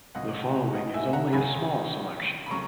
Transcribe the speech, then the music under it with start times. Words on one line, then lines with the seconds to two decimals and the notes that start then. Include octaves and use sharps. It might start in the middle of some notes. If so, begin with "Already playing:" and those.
The following is only a small selection.
0.15 C#2 B2 F#3 D#5 F#5
0.74 D#5 F#5
0.94 E5 G#5
1.13 F#5 A#5
1.33 C#2 B2 F#3 G#5 B5
2.46 B5
2.51 C#3 F#3 A#5 C#6